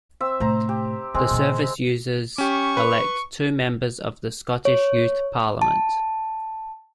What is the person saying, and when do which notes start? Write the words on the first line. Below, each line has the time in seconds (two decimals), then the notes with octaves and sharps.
The service users elect two members of the Scottish Youth Parliament.
0.20 C4 E5 E6
0.40 A2 C3 C5 A#5
0.69 G4
1.14 D3 G#3 C4
1.31 A#2 D#3
2.38 C#4 G4 C#6
2.77 B4
4.65 C#5
5.62 A5